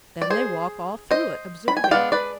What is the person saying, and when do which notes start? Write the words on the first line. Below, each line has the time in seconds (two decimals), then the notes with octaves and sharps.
"Then they walk all through it, observing."
0.22 D5
0.30 G#4 C5
1.11 C5 D#5
1.68 B5
1.77 G#5
1.84 G5
1.91 G#3 B3 D4 D5 F5
2.12 B4 D5